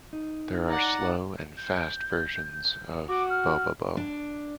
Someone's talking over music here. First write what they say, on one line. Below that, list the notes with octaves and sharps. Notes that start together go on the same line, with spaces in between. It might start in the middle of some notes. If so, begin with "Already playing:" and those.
There are 'slow' and 'fast' versions of Bobobo.
D#4
D5 F#5 A#5
G6
F#4 D6
F6
D4